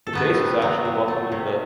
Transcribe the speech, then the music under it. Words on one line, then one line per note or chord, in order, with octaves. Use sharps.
The base is actually welcoming the.
A4
A3 B3 B4
C3
F#3
C3
A3
C3